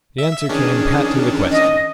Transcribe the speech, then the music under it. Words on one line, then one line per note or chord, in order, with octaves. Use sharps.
The answer came pat to the question.
E5
D#3 C#4 D4 G#4
D#5